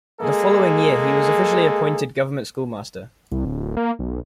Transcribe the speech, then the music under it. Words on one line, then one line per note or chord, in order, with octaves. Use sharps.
The following year he was officially appointed government schoolmaster.
G#3 A#3 G#4 A4
C2
D1
A#3
B1